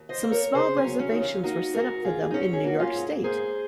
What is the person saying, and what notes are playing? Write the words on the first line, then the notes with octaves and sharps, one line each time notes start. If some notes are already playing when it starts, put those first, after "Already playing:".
Some small reservations were set up for them in New York state.
Already playing: D#2
C5 D#5
A#3
A#4 C#5
C#3 G#4 C5
C#4
F#3
C#4
D#2 D#4
C#4 F4
A#3 D#4 F#4
G#2 F#4 A#4
G#2 F4 G#4
D#4
F#3 C#4
G#4
A#3 F#4
C#4 F4
G#2
A#3 G#4 C5